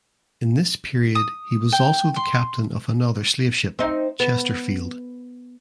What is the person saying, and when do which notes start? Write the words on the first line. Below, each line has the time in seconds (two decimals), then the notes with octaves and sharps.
In this period he was also the captain of another slave ship "Chesterfield".
1.15 D#6
1.72 G5
2.16 C6
3.79 C4 D#4
4.20 B3